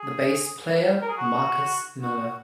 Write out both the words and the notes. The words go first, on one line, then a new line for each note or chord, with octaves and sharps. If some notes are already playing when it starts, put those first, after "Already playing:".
The bass player Marcus Miller.
Already playing: G#4
A#4
G#4
F#4
F#4
F#4